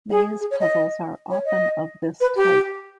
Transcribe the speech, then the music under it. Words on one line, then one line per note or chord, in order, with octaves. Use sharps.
Maze puzzles are often of this type.
G#4
G#4
C#5
D#5
C#5
D#5
B4
G4